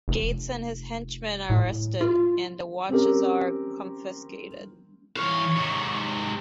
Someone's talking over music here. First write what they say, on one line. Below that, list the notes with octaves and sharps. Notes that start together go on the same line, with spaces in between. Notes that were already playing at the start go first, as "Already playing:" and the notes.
Gates and his henchmen are arrested, and the watches are confiscated.
F1
A2
F4
C4 C#4 G4 A#4
E3 C#5 F5
G#2 C3